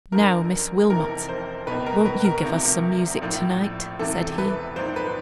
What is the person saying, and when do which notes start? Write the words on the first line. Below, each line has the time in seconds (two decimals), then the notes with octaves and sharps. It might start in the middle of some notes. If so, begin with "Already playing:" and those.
'Now, Miss Wilmot, won't you give us some music to-night?' said he.
0.12 G1 F#2 D3 F3 A#4
0.90 F1 F2 C3 E3 A#4
1.29 C5
1.67 C#2 B2 B4
1.86 A#4
2.05 B4
2.25 A#4
2.44 D2 C3 F3
3.22 A#1 A2 F3
3.99 E1 E2 C3 E3 A4
4.38 B4
4.76 A#1 G#2 F3 C5
4.96 B4